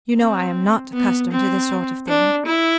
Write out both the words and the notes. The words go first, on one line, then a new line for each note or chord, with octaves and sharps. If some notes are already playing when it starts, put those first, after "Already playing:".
You know I am not accustomed to this sort of thing.
C4
B3
C4
D4
E4